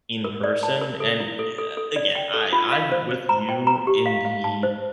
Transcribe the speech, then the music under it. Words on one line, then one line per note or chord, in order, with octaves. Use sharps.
in person, and i uh, again, I I'm with you in the
A#4
D5
A5
A#4
A4
E4
A4
A4
A4
D5
G5
A4
F4
F5
C5
C5
A#5
G5
A#5
G4
F5
F5
A5
C5